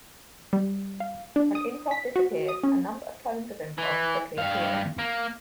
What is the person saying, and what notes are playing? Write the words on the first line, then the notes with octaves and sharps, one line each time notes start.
When Improv disappeared a number of clones of Improv quickly appeared.
G3
F5
D4
D#6
B6
F#4
D#6
C#4
E3
G2 F5
A#3